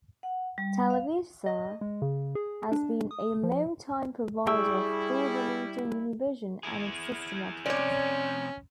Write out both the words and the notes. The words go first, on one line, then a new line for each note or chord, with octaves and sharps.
Televisa has been a longtime provider of programming to Univision and its sister networks.
F#5
G3
F5
D#5
G#3
C#3
G#4
D4
D#6
F3
G3 E4 G#4 G5 C#6 E6
E4 G#4
F2 C3 C#4 C#5 D5